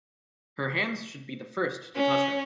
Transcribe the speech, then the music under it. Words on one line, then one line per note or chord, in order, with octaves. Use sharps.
Her hands should be the first to touch her.
C#4